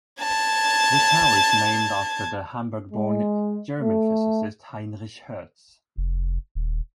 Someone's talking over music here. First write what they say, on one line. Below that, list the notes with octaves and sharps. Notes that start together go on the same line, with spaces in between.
The tower is named after the Hamburg-born German physicist Heinrich Hertz.
A5 G#6
G#3
A3
F1
D#1